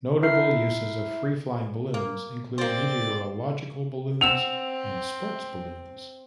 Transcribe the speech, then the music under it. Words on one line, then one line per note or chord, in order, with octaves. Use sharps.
Notable uses of free-flying balloons include meteorological balloons and sport balloons.
E4 E5 A#5 F6 G6 C7
A#3
A#3 C4 C5 D5 A6
C4 F#5 E6 E7 F7